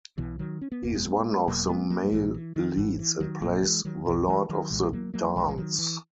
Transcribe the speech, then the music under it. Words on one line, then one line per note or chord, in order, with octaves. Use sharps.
He is one of the male leads and plays the Lord of the Dance.
B1 B2 E3
D#3 F#3
C#4
B3
F#1 E2 B2 A#3
G#3 B3
E1 E2 B2 F#3 A#3
G#3 B3
F#3 A#3
B1 A#2 E3 G#3
E3
D#3
G#1 G#2 E3
E3
D#3 F#3
A#1 A#2 F#3 A#3
E3 G#3
D#3 F#3
B1 B2 E3
E3 G#3
D#3 F#3
B1 A#2 E3 G#3
G#3
F#3 A#3
F#3 A#3
A#1 A#2 E3 G#3
G#3
D#3 F#3
E3